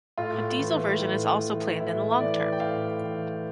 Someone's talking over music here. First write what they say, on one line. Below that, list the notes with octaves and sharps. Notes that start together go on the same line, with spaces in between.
A diesel version is also planned in the long term.
A2 F4
E3
A2
E3
A2 E4
E3 D5
G5
A2 F5
E3